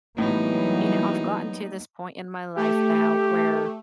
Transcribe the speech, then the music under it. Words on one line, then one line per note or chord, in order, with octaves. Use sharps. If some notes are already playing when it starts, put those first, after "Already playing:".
you know, I've gotten to this point in my life now where,
A2 E3 F#3 G3 A#3 B3 D#4
A3 G4